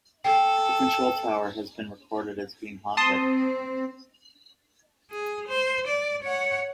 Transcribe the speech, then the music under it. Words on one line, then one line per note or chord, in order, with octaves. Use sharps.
The control tower has been recorded as being haunted.
A4 G5
C4 A5 C6 D#6
G#4
C5
D5
C#5 F#5